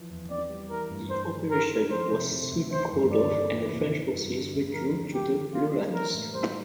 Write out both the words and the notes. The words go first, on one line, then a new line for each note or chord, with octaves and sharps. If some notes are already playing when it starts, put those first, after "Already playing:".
The operation was soon called off and the French forces withdrew to the lowlands.
Already playing: E3 F3
E2
C4 D5
G3
E3 A#4
G2
D4 C5
A3
E4 A#4
A3
F3 C5
C3
C3
D2
E3 C5
G2
A3 D5
A#2
E3
C3
E3
G2
D3
D2
F3 A#4
D3
A3 G4
D3
A#3 F4
G3
E3 A#4
A2
G3 C5